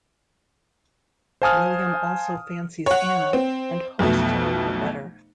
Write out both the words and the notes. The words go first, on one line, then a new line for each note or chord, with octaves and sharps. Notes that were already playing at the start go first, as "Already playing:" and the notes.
William also fancies Anna and hopes to know her better.
C5 F5 G#5 A5 D#6 F6
C#5 F#5
C4
B1 F2 B2 A3